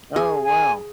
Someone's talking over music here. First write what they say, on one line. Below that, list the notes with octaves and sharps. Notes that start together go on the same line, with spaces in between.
Oh, wow.
G#4
G#5